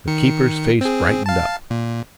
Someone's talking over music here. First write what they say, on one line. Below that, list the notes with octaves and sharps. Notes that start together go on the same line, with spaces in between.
The keeper's face brightened up.
D#3 C#7
C4 G#4
F5 A5
A#2